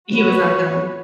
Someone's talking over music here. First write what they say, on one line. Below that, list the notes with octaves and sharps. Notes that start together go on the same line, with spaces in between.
He was not them.
F#4 B4 C#5